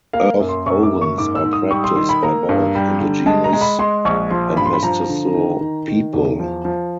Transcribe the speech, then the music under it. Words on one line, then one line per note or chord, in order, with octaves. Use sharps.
Earth ovens are practiced by both indigenous and mestizo people.
A#3 F5
F#2
C6
F#2 C#6
D6
A#3
C#6
G#2 D6
E6
G#2
D#6
G3 C#6
C6
D#3 C6
B5
A#3 A#5
G2
G3
D3
G#3 A5
A#5
G#3
B5
G#3 C6
A#1 C#6
F3 C6
G2 B5
C6
B5
F3 A#5
D3
D#3
D#3
D#3
E2
F3
F3